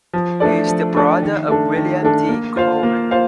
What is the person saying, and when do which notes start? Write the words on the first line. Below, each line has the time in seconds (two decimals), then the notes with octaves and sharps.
He is the brother of William D. Cohan.
0.13 F3
0.40 A3 D4 A4 D5
0.67 F3
0.95 A3 D4 A4 D5
1.22 D#3
1.48 A3 D4 A4
1.76 D#3
2.03 A3 D4 A4
2.29 A#3
2.56 F4 C5 F5
2.83 A#3
3.11 F4 C5 F5